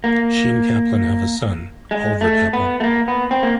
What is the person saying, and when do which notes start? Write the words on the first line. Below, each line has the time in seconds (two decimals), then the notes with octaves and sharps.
She and Kaplan have a son, Oliver Kaplan.
0.04 A#3
1.91 G#3
2.21 A3
2.53 B3
2.80 A3
2.84 A#3
3.08 B3
3.31 C4
3.43 A#3